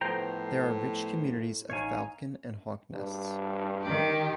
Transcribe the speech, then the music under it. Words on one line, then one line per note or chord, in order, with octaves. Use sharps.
There are rich communities of falcon and hawk nests.
A2 F3 A3 B3 C5 G5 A#5
A1 D#4 C#5 F5 G#5
G2
D#3 G4